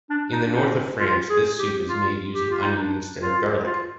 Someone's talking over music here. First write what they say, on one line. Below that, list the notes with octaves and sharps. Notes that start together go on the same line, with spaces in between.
In the north of France, this soup is made using onion instead of garlic.
D4
D#4
D4
D#4
F4
G#4
G4
F4
G4
F4
D#4
D4
F4
F4